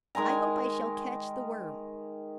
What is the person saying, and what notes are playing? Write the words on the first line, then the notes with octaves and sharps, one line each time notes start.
"I hope I shall catch the worm."
D#3 G#3 G#5 A#5